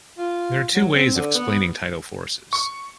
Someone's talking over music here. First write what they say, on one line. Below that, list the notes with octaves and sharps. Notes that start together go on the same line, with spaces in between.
There are two ways of explaining tidal forces.
F4
F#3
C4
D3
B3
C#6